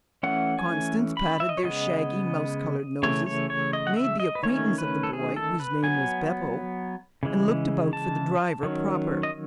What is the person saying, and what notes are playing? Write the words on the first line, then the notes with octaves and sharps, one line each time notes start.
Constance patted their shaggy mouse-coloured noses, made the acquaintance of the boy, whose name was Beppo, and looked about for the driver proper.
E3 A3 C#4 F#5
G#5
B5
E5
D#5
C#5
C#3 G#3 B3 D#5
C#3 E3 A3 C#5
C#5
C#5
D#5
F#5
E5
D#5
B4
D#3 A3 C#4 C#5
B4
A4
G#4
A4
B4
F#3 B3 G#5
C#3 E3 G#3
A5
D#3 F#3 C#4
D#5